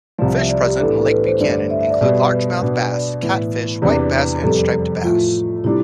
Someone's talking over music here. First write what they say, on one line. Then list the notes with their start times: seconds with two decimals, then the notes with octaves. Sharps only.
Fish present in Lake Buchanan include largemouth bass, catfish, white bass, and striped bass.
0.19 C2 C3 F3 D5
0.34 E5
0.49 D5
0.64 G4
0.80 A2 E3 B3 D4 A4
1.02 A4
1.11 B4
1.25 C5
1.40 G2 D3 A3 D4 D5
1.70 E5
1.81 E5
1.90 D5
2.01 B2 G3 B3 D5
2.31 B4
2.62 B2 B3 D4
2.91 D5
3.22 A2 E3 B3 E4
3.82 E2 C3 E3 B3 D4 D5
4.13 B4
4.43 F2 C3 G3 C4 A4
5.03 A2 F3 A3 F4
5.64 C3 G3 D4 E4